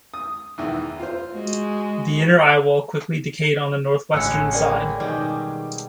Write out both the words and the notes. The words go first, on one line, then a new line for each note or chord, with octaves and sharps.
The inner eyewall quickly decayed on the northwestern side.
D#6
E2 D#3 E3
F4 C5
G#3 F#4
A1 D3 G#3 C#4 E6 F#6 C#7
A#3 G#4 A#4 D5 G5 G#5
B2 D#3 G3 G#3 D6